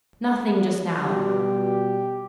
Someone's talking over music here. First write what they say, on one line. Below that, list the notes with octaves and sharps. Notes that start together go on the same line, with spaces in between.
'Nothing just now.
B2 G3 G4